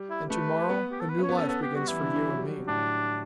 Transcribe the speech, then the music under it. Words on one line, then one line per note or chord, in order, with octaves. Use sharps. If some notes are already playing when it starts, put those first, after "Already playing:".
"And to-morrow a new life begins for you and me."
Already playing: G3
E4
A3 B4
B3
G4
A4
B4
C#4 C#5
B3
C#4 A4
B3 A4
G4
G3 F#4
E3 E4
D3
E3
F#3
G3
F#3
A2 D4